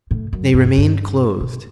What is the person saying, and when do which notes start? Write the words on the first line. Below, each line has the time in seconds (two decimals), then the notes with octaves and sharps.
They remained closed.
0.11 A2
0.33 F#2
0.54 G2
0.65 F#2
0.78 G2
1.40 B2